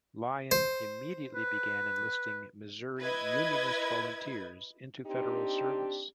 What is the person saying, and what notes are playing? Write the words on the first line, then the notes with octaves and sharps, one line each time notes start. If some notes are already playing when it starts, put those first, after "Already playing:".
Lyon immediately began enlisting Missouri Unionist Volunteers into Federal service.
C5
B4
E4 B4 D#5 G#6
C4 D4 D#4 G4